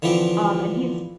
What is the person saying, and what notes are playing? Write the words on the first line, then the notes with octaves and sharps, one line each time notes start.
um, and he's
D3 E3 F3 C4 G4